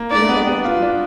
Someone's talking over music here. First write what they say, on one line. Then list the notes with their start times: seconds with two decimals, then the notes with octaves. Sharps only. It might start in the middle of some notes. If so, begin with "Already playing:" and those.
you know, that actually
Already playing: A#3
0.11 D4 D5
0.29 B3
0.47 B3
0.64 F4
0.82 D4